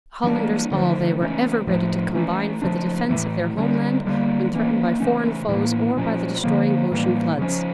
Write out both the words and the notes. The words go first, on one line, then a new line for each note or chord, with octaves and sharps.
Hollanders all, they were ever ready to combine for the defence of their homeland when threatened by foreign foes or by the destroying ocean floods.
E3 G3 A#3 D4
D3 F3 A3 D4
C#3 E3 A3 C#4
A2 F3 A3
E3 A3 C#4
C#3 F3 A3 D4
A2 E3 A3
D3 G3 C#4
D3 G3 A#3
E3 A#3 C#4
C#3 E3 A3 C#4
A2 E3 A#3
A#2 F3 C#4
D3 F3 A#3
A2 E3 G3 A#3
C#3 F3 C#4